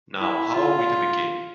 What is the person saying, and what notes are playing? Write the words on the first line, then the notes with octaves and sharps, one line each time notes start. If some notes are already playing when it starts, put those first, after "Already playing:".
Now, how are we to begin?
E4
F4